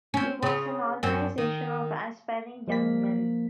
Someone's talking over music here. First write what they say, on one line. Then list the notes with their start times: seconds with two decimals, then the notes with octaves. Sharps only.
It was an organization of aspiring young men.
0.14 C4 C#4
0.43 C#3 F4
1.03 F#2 C4
1.38 D#3
2.67 F3 A#3 B6